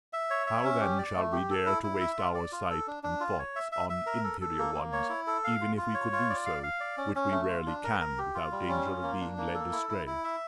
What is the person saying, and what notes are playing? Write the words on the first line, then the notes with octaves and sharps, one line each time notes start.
How then shall we dare to waste our sight and thoughts on inferior ones, even if we could do so, which we rarely can, without danger of being led astray?
E5
C#5
E5
C#4
G4
D5
A3
G4
A4
E4
E4
E5
F4
D5
F4
A4
D4
D4
F4
C#5
E5
E5
E5
A#4
A4
A4
A#3
A#3
C#5
E4
A4
F5
F4
F4
C#5
F4
D5
F5
F5
D5
C#4
C#4
A3
F4
D4
A#4
A#4
G4
F4
G3
C#4
F4
A#3
D4
A#3
A4
E4
E4
E4
E5